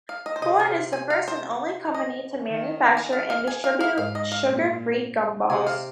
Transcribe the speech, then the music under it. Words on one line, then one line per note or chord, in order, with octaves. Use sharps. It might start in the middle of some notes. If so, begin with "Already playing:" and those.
Ford is the first and only company to manufacture and distribute sugar free gumballs.
F5
D#5
C5
C3 D#5
A#4
G#5
F5
C5
D#5
D#3
G#5
F5
F5
G#5
F5
F5
G#2 F5
D#5
F5
A#2
C3 G#5
F5